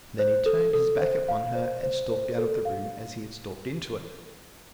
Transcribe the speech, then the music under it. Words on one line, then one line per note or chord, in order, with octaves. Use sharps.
And then he turned his back upon her and stalked out of the room as he had stalked into it.
C5
A4
A4
C5
F5
C5
C5
C5
A4
F5